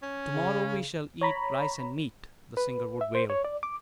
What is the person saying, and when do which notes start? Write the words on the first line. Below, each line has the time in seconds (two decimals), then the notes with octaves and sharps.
"To-morrow we shall eat rice and meat," the singer would wail.
0.03 C#4
0.34 C#3
1.21 C#5 A#5 B5
2.57 B4
3.01 E5
3.15 C5
3.30 C#5
3.45 D5
3.63 D6